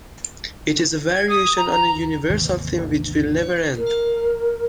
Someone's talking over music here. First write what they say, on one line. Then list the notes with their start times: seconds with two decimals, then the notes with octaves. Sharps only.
It is a variation on a universal theme which will never end.
1.15 G#6
1.29 D#6
1.57 A#5
1.71 A#5
2.30 G#1 D#2 C3 E3
3.78 A#4